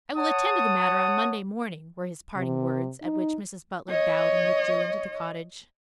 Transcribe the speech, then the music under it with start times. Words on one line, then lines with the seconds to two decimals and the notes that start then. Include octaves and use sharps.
"I will attend to the matter on Monday morning," were his parting words, at which Mrs. Butler bowed and withdrew into the cottage.
0.16 C#5 F#5 A5 D#6
2.37 C3
3.02 D#4
3.89 C#5 D#5